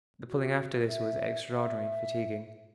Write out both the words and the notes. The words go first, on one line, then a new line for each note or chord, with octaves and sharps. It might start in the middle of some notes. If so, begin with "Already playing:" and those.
The pulling after this was extraordinarily fatiguing.
F#4
E5
E5